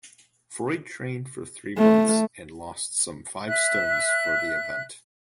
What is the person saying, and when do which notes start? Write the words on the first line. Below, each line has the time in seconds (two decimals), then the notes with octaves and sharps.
Freud trained for three months and lost some five stones for the event.
1.78 A3
3.47 E5 F#6